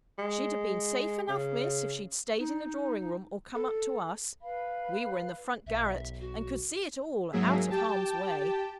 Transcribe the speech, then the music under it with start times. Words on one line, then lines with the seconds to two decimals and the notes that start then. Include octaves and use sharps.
'She'd have been safe enough, miss, if she'd stayed in the drawing-room, or come up to us; we were in the front garret, and could see it all, out of harm's way.'
0.18 G#3
1.29 C#3
2.39 D#4
3.55 A4
4.41 B4 F5 B5
5.67 B1 E5
6.20 F#4
7.33 G#2 F#3 A#3 G#4 E5
7.70 G4 G5 A5